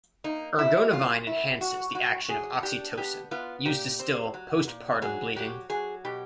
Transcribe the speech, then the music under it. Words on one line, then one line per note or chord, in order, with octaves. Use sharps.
Ergonovine enhances the action of oxytocin, used to still "post partum" bleeding.
A#3 D#4
F3 E4
F#3 F4
G2 E4
F#3 F#4
G2 F#4
F#3 G#4
D4 G4
B3 G4
B3 F4
A#2 G4
C4
F#3
A#2
F#3 G#4
F#3 G4
F#3 G#4
B2 G4